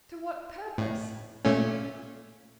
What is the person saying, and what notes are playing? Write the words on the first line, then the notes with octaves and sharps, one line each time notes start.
'To what purpose?
A2
A#2 A3 C#4